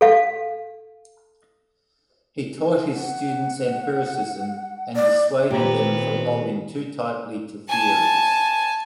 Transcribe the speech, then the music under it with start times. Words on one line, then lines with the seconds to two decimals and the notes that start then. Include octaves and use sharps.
He taught his students empiricism and dissuaded them from holding too tightly to theories.
0.01 A4 F5
2.95 F#5
4.96 D5
5.51 A#2 D#3 B3 C4 G4
7.69 G#5 A5